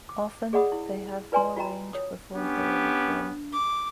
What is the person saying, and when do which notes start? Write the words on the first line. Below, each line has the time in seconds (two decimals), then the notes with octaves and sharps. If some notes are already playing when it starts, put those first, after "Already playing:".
Often, they have more range before they overflow.
0.09 D6
0.53 G#4 D5 D#5 F#5 B5 D#6
0.72 E4
1.32 F4 B4 D5 G#5 A#5 C6
1.57 F4 F#4 D#5 G5 A#5 B5
1.93 C#5 D#6
2.34 B3 C#4 D4 G4
3.52 D6